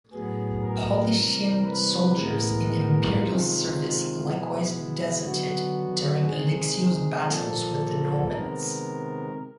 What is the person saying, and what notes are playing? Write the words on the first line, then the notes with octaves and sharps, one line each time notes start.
Paulician soldiers in imperial service likewise deserted during Alexios' battles with the Normans.
A2 F#3 B3 G#4
A#4
C3 E3 G3
B4
A2 E3 G#3 B3 A#4
C3 D#3 G#3 F4
B2 G#3 B3 E4
D3 F#3 B3 F#4
C3 D#3 G#3 G#4
A#2 F3 A#3 A4
C3 D#3 G#3 B3 A#4